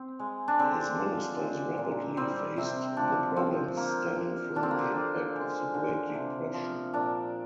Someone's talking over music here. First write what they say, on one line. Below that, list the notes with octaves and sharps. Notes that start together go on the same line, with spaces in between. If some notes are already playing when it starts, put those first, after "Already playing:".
His ministers rapidly faced the problems stemming from the impact of the Great Depression.
Already playing: C4
G#3
D4
D3 C4
F3
G#3
A#2
G3 C4
C3 C4
F3 D4
F3 C4
C3 A#3
F3
D3 D4
C4
A#3
C4
D3
G#3
D3
C3
F3
A#2 D4